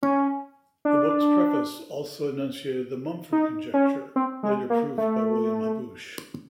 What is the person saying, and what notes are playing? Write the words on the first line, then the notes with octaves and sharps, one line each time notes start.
The book's Preface also enunciated the Mumford conjecture, later proved by William Haboush.
C#4
D4
D#4
C#4
C4
G#3
A#3
A3